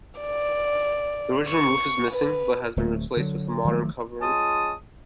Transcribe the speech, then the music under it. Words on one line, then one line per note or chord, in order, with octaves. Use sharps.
The original roof is missing but has been replaced with a modern covering.
D5
C#6
B4
D1 A3
D3 F#3
D#3 F3 F#3 A3
G#3 C#4 F4 A5 D#6